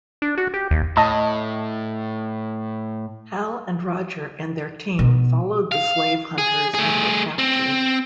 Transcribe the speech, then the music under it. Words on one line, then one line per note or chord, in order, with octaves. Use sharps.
Hal and Roger and their team followed the slave hunters and were captured.
D4
F#4
G4
D#2
A2 D#5 A5
B2
F5
G#4
A3 G#4
C4